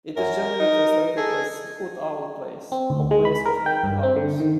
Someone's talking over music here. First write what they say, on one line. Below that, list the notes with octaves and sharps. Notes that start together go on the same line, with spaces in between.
It is generally translated as "Hoot-owl place" or "place of many owls".
F#2 A#4
D#4
G#4 A4
C4
D2
G#3
B5
A#4
G5
G2
C4
D3
D#3